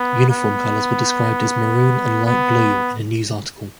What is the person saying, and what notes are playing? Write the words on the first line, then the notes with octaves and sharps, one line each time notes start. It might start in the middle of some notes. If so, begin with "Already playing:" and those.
Uniform colors were described as "maroon and light blue" in a news article.
Already playing: B3
B3
B3